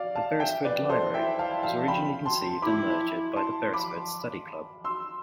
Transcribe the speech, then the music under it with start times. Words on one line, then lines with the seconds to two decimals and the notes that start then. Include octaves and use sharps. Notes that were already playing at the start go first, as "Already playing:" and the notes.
The Beresford Library was originally conceived and nurtured by the Beresford Study Club.
Already playing: D5 F5
0.15 F5 A5
0.40 E5 G5
0.65 B4 D5
0.89 A4 C5
1.14 E4 E5 G5
1.39 F5 A5
1.63 F5 A5
1.88 G5 B5
2.26 A5 C6
2.62 E4 B5 D6
3.36 A5 C6
3.73 B5 D6
4.85 C6 E6